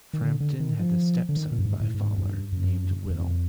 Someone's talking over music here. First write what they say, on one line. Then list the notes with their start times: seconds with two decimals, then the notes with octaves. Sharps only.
Frampton had a stepson by Faller named Will.
0.13 D#3
0.22 D3
0.40 D3
0.60 D#3
0.80 F3
1.29 D3
1.37 D#3
1.51 A#2
1.59 G2
1.66 G#2
1.81 A2
1.94 G#2
2.18 F#2
2.24 G2
2.52 F#2
3.06 F#2
3.10 F2